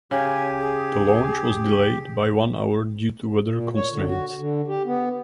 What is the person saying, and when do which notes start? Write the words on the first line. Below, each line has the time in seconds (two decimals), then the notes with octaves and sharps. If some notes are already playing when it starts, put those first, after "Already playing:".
The launch was delayed by one hour due to weather constraints.
0.11 C#3 G4 G#5
0.59 G#4
3.50 A#2
3.76 C#5
3.92 D3
4.07 F#4
4.38 D3
4.67 G4
4.85 B3